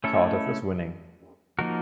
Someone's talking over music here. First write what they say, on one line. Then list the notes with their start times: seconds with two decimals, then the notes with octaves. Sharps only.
Cardiff is winning.
0.04 A3 C#4 E4 A4
1.59 F3 A#3 D#4 F#4 A#4